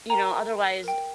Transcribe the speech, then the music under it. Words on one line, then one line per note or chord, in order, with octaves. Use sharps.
you know, otherwise
A#4 G5 A#5
A#4 G5